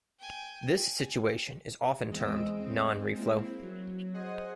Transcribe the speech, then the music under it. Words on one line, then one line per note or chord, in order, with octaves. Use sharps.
This situation is often termed non-reflow.
G5 G#5
E2 G#3 C4 D#5 E6 D7
G#3 C4
A#3 C4 E4
F#3
G#4 C5 D#5 F#5 G#5 D#6